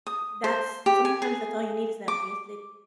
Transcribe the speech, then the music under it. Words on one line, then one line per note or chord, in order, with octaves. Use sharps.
that's sometimes that's all you need is that basic
D#6
C5
G4
G#5
G#4
D6